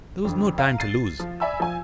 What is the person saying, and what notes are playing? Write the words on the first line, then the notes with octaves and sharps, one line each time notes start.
There was no time to lose.
F2 D3
F5 A#5
A6 C7 D#7
F3
D5 E5 G#5 B5 E6
F3 G#5